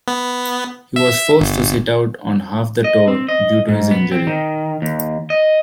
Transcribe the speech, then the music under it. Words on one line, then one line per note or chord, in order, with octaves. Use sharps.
He was forced to sit out on half the tour due to his injury.
B3
E5
G1
D#5
C4
D#5
G#2
B3
C4
D#3
D#2
D#5